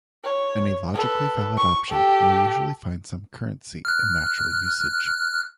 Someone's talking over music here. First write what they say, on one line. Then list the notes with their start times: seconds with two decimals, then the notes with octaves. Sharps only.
Any logically valid option will usually find some currency in natural usage.
0.24 C#5
0.94 A4 B4
1.57 C#6
1.90 G4 A4
3.85 F6 F#6